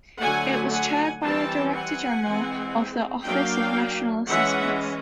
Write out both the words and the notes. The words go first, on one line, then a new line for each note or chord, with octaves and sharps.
It was chaired by the Director General of the Office of National Assessments.
D3 F#3 A3 F#5 G#5
F#5 G#5
E3 G3 C4 G5 A5
F#5 G#5
E3 G#3 C4
F#3 A#3 D4 F5 G5
E3 G#3 C#4 E5 F#5